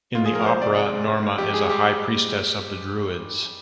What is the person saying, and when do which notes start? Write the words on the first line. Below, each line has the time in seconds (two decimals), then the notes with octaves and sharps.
In the opera, Norma is a high priestess of the Druids.
0.15 G#2 F4
0.26 G#4
0.31 F3 A#4
0.42 A#4
0.46 G#3 C5
0.61 C3 D5
0.77 G#3
0.92 G#2
1.07 G#2
1.23 G#2
1.38 F2 G4
1.54 G#3 G#4
1.69 G3 G4